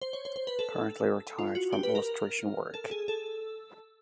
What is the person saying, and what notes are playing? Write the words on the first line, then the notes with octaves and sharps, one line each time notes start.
Currently retired from illustration work.
C5
C#5
C5
C5
B4
A4
F4
F#4
G4
B4
A#4
A4
G#4
A4